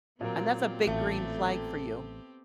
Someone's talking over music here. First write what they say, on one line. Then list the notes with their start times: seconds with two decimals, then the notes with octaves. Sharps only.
And that's a big green flag for you.
0.21 A#2 F#3 B3 C4 G4 A#4
0.87 A1 A3